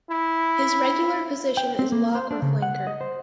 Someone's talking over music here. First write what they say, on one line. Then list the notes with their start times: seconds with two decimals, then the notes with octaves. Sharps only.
His regular position is lock or flanker.
0.11 E4
1.57 G5
1.79 C4
1.92 A#3
2.15 C5
2.31 D4
2.42 C#3
2.62 F#5
2.87 D#5
3.01 C5